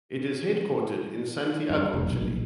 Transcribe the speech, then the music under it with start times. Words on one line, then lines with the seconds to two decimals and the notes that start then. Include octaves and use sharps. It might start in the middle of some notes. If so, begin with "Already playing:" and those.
It is headquartered in Santiago, Chile.
1.70 G2
1.94 F1
2.07 B1
2.22 A#1